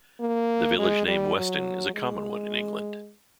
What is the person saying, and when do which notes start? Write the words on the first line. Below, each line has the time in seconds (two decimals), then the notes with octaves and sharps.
The village name 'Weston' is a common one in England.
0.21 A#3
0.79 G#3
1.07 G3
1.36 F#3
1.94 G#3